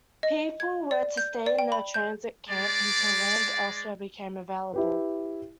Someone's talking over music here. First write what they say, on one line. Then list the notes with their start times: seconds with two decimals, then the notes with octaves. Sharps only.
People were to stay in the transit camp until land elsewhere became available.
0.23 D#5
0.60 G#6
0.91 D5
1.17 G6
1.46 D5
1.59 G5
1.72 B5
1.94 G6
2.50 G#3 D5
4.74 E4 G4 B4